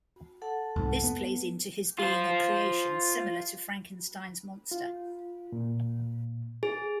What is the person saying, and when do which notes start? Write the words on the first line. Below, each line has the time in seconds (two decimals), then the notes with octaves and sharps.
This plays into his being a creation similar to Frankenstein's monster.
0.42 A4 F#5 A5
0.76 C2 F2 G#2
1.04 B3
1.99 F4 C5
4.71 F4
5.52 A#2
6.63 G#4